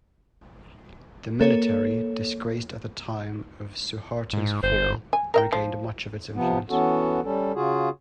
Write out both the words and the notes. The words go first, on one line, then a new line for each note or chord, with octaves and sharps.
The military, disgraced at the time of Suharto's fall, regained much of its influence.
A#3 A4 C#5
G#2
G1 C5
G#5
A#4 E5 G5
F3
C3 F3 B3
E3 B3 C#4 F#4 A4
G3 C#4 A4
C#3 F4 F#4 G#4